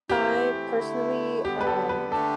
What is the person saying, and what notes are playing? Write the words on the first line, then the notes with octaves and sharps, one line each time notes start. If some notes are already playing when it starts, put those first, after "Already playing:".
I personally, um
E3 A3 C4 E4 G4
D3 A3 E4
D3 G3 B3 G4
B4
A4
B4
D3 A3 D4 G4 A4